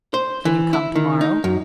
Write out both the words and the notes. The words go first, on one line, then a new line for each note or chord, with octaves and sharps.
"Can you come to-morrow?"
C5
E3
E4
D#3
D#4
F#2